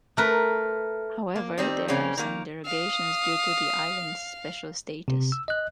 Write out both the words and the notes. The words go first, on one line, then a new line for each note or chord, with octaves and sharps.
However, there are some derogations due to the islands' special status.
A3 A#4 B4
A#3
D#3 G3 C4
C#3 A#3 C4 C#4
D#3 A#3
F5 D#6
C3
E6
D#5 F#6